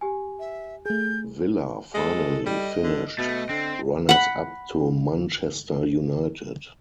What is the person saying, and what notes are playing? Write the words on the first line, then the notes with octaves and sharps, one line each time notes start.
Villa finally finished runners-up to Manchester United.
G4 G#5
E5
A3 G#4 G6
G#3 A4
G3 D#5
D3
B2 A3 D#5
D3 C4
F#5 B5